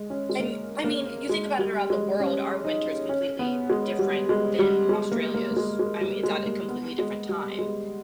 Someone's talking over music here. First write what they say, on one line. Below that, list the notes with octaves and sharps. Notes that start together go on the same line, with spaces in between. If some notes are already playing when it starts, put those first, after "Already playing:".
I'm I mean, you think about it around the world, our winter is completely different than Australia's, um, it's at a completely different time,
Already playing: G#3
C#4
G#3
A#3
A#3
G#3
G3
G#3
C#4
D#4
C#4
B3
G#3
G3
G#3
G3
G#3
A#3
A#3
A#3
G#3
G#3
G3
G#3
A#3
B3
G#3
G3
G#3